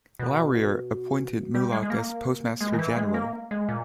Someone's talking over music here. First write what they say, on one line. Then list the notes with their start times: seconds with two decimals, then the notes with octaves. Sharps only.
Laurier appointed Mulock as Postmaster General.
0.19 B2
1.55 G3
1.72 G#3
1.83 G#3
1.90 A#3
2.61 G#3
2.73 D#3
2.79 E3
2.97 G#3
3.14 A#3
3.51 G#3
3.69 A#2